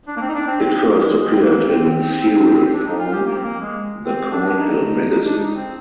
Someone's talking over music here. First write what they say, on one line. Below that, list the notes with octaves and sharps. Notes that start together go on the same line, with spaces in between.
It first appeared in serial form in "The Cornhill Magazine".
D4
A#3
C4
D#4
D4
C4
C4
C4
A#3
G#3
G#3
C4
A#3
C4
D4
D#4
F4
G4
A#3
C4
A#3
G#3
C4
D4
D#4
D4
D#4
C4